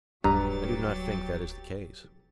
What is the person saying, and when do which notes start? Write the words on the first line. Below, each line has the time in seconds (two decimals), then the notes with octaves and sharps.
"I do not think that is the case."
0.24 D1 G2 F#3 G4 B4 A#5 A6